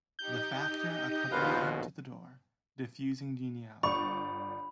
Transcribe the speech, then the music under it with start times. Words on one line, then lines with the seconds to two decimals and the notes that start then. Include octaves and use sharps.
The factor accompanied him to the door, diffusing geniality.
0.19 D#4 G4 D#5 G6
1.31 A#1 D#2 B2 F4 B4 F5
3.83 G1 D5 B5 C#6